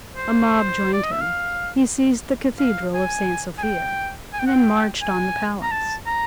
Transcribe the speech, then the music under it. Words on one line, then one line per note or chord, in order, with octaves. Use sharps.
A mob joined him, he seized the Cathedral of St. Sophia, and then marched on the palace.
C5
D5
D#5
E5
F5
F5
G#5
G#5
G5
G#5
G5
F#5
G5
G#5
A#5
A5
A#5